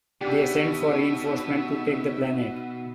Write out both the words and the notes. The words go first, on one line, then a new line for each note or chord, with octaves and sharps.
They send for reinforcements to take the planet.
B2 D4 D#4 G4 E5